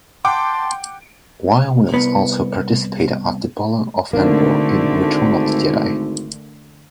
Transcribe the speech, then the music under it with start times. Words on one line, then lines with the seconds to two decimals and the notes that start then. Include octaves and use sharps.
Y-wings also participate at the Battle of Endor in "Return of the Jedi".
0.25 F#5 G5 A5 C6 D6
1.94 C2 B3
4.13 G#1 D3 A3 A#3 D4